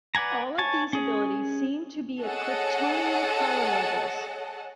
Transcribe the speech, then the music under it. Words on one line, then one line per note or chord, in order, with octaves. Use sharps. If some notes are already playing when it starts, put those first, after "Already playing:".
All of these abilities seem to be at Kryptonian power levels.
B4 D5 F#5 G#5 A#5
C#5 G#5 A5
C#4 G#4
G#4 A4 C#5 D#5 F#5 A5